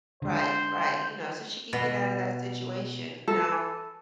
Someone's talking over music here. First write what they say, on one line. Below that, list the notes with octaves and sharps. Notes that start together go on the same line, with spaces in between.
Right, right, you know, so she could get out of that situation. Now,
D3 G#3 C5
B2
A4